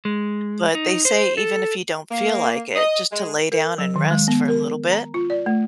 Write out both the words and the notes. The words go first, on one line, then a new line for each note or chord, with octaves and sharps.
But they say even if you don't feel like it, just to lay down and rest for a little bit,
G#3
D#4
C5
A4
A#3
D#5
G#3
A#4
F#3
D#3
G#3
B3
A#4
A#5
F4
D5
A3